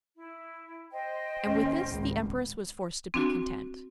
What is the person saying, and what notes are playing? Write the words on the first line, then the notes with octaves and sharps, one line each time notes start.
And with this the empress was forced to be content.
E4
C5 D#5 G5
D#2 C#4
G#1 C#2
C4 D4 F#4